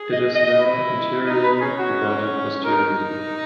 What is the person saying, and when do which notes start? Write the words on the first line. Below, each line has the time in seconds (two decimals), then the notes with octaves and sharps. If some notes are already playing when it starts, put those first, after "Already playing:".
It is narrow anteriorly and wider posteriorly.
Already playing: G#4
0.12 D#5
0.35 D#5
0.58 E4
1.27 D#4 D#5
1.43 B4
1.61 C#4 G#4
1.78 F#4
2.64 D#4 A#4